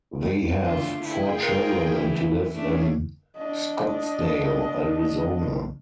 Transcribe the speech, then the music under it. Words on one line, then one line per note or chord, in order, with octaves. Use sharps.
They have four children and live in Scottsdale, Arizona.
D3 A3 F4
E4 G#4 G5
F4 A#4
E3
A3 C#4 D4 G#4
D4 D#5